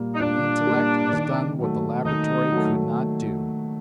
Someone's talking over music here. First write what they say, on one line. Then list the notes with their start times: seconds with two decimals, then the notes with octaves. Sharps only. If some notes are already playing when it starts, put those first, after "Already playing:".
The intellect has done what the laboratory could not do!
Already playing: A#2 G3 A#3
0.15 D#4
0.19 A#2 D4
0.67 G3 A#3
1.12 D#3
1.59 F#3 A3
2.05 D#3 D#4
2.52 F#3 A3